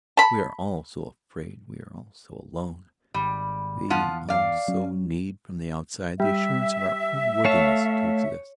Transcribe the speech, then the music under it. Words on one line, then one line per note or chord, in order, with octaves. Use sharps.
We are all so afraid, we are all so alone, we all so need from the outside the assurance of our own worthiness to exist.
A5 B5
G#1 G3
E2 F3 F4 F#5
D5 F5
F#3 C#4
G3 E5
A3 C#5 F5 A5